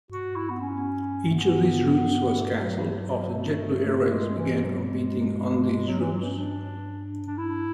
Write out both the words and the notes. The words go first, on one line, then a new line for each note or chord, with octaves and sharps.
Each of these routes was canceled after JetBlue Airways began competing on these routes.
F#4
E4
B3
C#4
A3
B3
B3
A3
F#3
A3
A3
G#3
E3
F#3
G#3
F#3
E3
F#3
C#4
D4
D4
E4